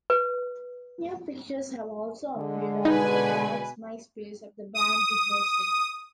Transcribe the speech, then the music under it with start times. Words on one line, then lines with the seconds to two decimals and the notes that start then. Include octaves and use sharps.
New pictures have also appeared on the band's Myspace of the band rehearsing.
0.10 B4
2.37 D3 G#3
2.85 B2 D#4 B4 G#5
4.74 D#6